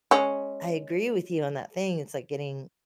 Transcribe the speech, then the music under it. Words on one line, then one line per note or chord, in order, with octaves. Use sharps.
I agree with you on that thing, it's like getting,
G#3 C#4